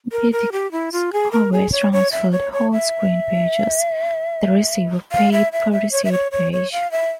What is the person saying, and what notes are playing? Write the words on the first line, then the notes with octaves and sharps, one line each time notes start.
Btx always transferred whole screen pages; the receiver paid per received page.
A#4
A#4
G4
E4
F4
G#4
A#4
G#4
C#5
C#5
E5
C#5
C#5
E5
F5
E5
E5
E5
C#5
E5
C#5
C#5
C#5
F5
E5